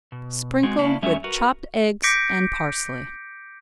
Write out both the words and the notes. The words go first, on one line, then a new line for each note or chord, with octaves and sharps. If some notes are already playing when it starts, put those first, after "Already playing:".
Sprinkle with chopped eggs and parsley.
B2
G#3 C4 F#4
C#3 A#3 C#4 D4 E4
E2 F#3 G3 A3 C#4 E5
F#4 A#4 B4
D6 G6 A#6 B6 C#7 D7